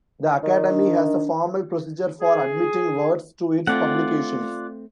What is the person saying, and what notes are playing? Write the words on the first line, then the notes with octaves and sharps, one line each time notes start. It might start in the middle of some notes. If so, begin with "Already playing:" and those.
The Academy has a formal procedure for admitting words to its publications.
D#3
D4
G#4
A3 C4 F4 D5 F#5